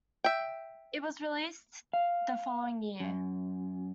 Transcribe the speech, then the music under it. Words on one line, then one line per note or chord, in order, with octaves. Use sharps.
It was released the following year.
E5 G5
F5
F#2